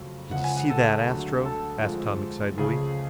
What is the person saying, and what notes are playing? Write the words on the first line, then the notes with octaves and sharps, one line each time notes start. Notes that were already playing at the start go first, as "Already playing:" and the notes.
"Did you see that, Astro?" asked Tom excitedly.
Already playing: F2 C#3 F#3 A3
C#2 C#3 F3 G#3 F#5
G#5
F#5
A4
D2 D3 F#3 A3
A4
F2 F3 G#3
C#2 C#3 F3 A3 G#4